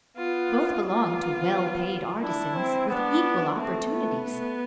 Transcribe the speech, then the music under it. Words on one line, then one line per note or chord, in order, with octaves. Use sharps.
Both belong to well-paid artisans with equal opportunities.
B3 F4
B3 F4
D4 E4
C4
B3 D4
A3 C4
B3
A3